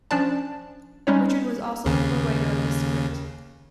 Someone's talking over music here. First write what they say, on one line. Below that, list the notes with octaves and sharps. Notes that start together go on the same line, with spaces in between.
Richard was also the co-writer of this script.
F3 C#4 D4 D5 A5
G3 G#3 C#4 D#4 C#5
D#2 C#3